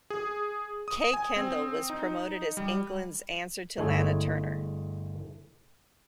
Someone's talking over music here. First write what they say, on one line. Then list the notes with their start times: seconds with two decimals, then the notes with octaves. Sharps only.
Kay Kendall was promoted as England's answer to Lana Turner.
0.10 G#4
0.88 D#6
1.13 G#5
1.36 C4
1.90 D#4
2.57 G3
3.78 G1 G#3 A3 E4 G#4 C#5